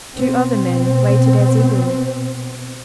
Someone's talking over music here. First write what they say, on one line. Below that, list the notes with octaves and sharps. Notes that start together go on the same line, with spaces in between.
Two other men waited as eagerly.
B2 C4